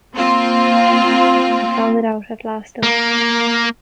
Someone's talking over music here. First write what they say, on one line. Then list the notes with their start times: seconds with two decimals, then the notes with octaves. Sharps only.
I found it out at last though.
0.16 A#3 C4 F4
2.83 A#3